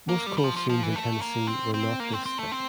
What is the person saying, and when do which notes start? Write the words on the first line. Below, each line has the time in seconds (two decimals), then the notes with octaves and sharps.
Most coal seams in Tennessee were not this thick.
0.09 A#3
0.26 G3
0.38 G3
0.44 F3
0.56 F3
0.69 F3
0.83 E3
0.96 A3
1.22 A#3
1.47 C4
1.74 C4
2.00 A#3
2.13 C4
2.26 C4
2.39 A3
2.52 C4